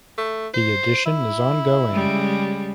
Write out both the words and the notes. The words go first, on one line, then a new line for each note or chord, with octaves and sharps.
The edition is ongoing.
A3
C5
E4
C#3 G3 G#3